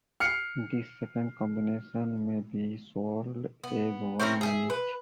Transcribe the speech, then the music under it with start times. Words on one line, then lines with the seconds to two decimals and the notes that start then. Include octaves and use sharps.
This second combination may be sold as one unit.
0.20 F6 C7 C#7
3.64 B3
4.20 C4 C#4 E4 A#4
4.41 G#4 A4 E5
4.70 B4